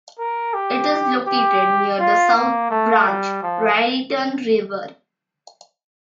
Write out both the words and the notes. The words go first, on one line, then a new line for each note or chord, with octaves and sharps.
It is located near the South Branch Raritan River.
A#4
G4
G4
F4
A#3
A3
G3
F3